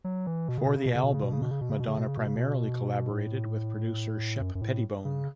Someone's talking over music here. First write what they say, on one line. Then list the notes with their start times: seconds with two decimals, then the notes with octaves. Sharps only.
For the album, Madonna primarily collaborated with producer Shep Pettibone.
0.04 F#3
0.26 E3
0.48 B2
0.58 C#3
0.67 B2
0.76 C#3
0.86 B2
0.95 C#3
1.04 B2
1.14 C#3
1.23 B2
1.33 C#3
1.42 B2
1.51 C#3
1.61 B2
1.70 C#3
1.80 B2
1.88 C#3
1.98 B2
2.08 C#3
2.17 B2
2.26 C#3
2.36 B2
3.10 A2
4.40 F#2
4.55 F#2
4.61 A2
5.05 C#3